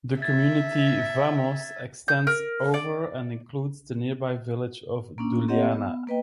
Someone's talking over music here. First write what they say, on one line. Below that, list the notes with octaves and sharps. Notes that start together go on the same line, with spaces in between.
The community Vamos extends over and includes the nearby village of Douliana.
E5 G#6 A6
G6
A#4
D5
A#3 C#4 D4
A#3 C4 G4 C#5 D#5 F#5
B3
A#3 B4 D#5 G5